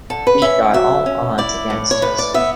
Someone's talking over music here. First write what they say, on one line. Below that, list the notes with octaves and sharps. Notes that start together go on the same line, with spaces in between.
We got all odds against us.
D3 A4
B4
C#4 E5
F#3 E5
C#4
E4 D5
A2
C#5
A2 B4
D5
B3 E5